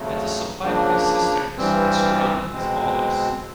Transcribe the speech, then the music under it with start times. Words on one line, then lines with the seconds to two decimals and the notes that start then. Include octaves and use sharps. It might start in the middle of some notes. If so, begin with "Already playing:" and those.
It is supplied by cisterns and surrounded with olives.
Already playing: F2 C#3 F#3 A3
0.61 C#3 F3 A#3 D4
1.56 G2 E3 G3 C4
2.51 B2 G#3 C4